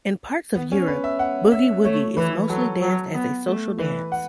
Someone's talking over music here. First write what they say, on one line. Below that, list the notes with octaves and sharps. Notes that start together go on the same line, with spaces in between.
In parts of Europe, boogie-woogie is mostly danced as a social dance.
B3
C#4
B4
E5
F#5
E5
A3 C#5
E3 B4
F#3 A4
F#3
B3
A3
E3 B4
F#5